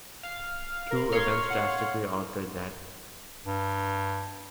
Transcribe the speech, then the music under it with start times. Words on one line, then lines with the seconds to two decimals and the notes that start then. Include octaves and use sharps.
Two events drastically altered that.
0.23 F5
0.91 A#4
1.12 C#5 F5 C6
1.50 F#5
3.45 G2